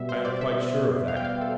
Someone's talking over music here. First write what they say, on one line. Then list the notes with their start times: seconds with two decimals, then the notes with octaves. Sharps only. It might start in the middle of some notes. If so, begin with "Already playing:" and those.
I am quite sure of that.
Already playing: B2 G3 B3 E5
0.09 C5
0.25 D5
0.36 D5
0.41 E5
1.08 F5
1.16 G5
1.24 F5
1.41 A4